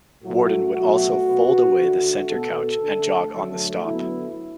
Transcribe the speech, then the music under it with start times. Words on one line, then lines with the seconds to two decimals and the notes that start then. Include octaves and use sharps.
Worden would also fold away the center couch and jog on the stop.
0.22 A2 F#3 A3 F#4
0.75 B2 F#3 A3 F#4
1.26 B2 B3
1.78 D3 A3
2.29 B2 B3 A4
2.82 D3 A3
3.34 D3 F#3 A3
3.85 D3 F#3 B3 E4